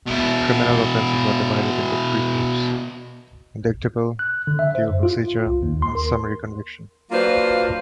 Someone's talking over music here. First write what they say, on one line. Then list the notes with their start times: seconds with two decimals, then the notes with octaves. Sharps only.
Criminal offences are divided into three groups: Indictable, Dual Procedure, and Summary Conviction.
0.06 B2 E4
4.19 F#6
4.47 D3
4.59 E5
4.75 C5
4.89 F#2
5.03 F4
5.46 C2
5.63 D#2
5.82 C6
5.95 A#4
7.11 F#3 A#3 D4 F4 B4 C5